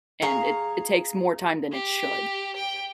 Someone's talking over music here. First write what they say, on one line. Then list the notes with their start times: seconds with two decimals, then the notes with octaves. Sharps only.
and it it takes more time than it should
0.22 G#4 F5 A#5 C#6
1.72 G4
2.57 G5